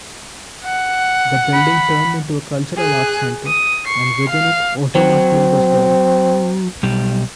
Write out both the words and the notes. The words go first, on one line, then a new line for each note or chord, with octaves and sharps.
The building turned into a cultural arts center, and within it Ozomatli was born.
F#5
B5
G#4 F#6
D#6
C#6 C7
F5
F#3 C4
B1 G3